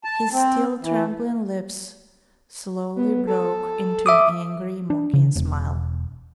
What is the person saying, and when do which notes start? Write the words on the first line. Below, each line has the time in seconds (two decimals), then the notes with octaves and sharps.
His still trembling lips slowly broke into an angry mocking smile.
0.04 A5
0.32 C4
0.82 E3
2.96 B3
3.27 A4
4.06 E5 D6 D#6
4.90 D4
5.13 C#3
5.36 E1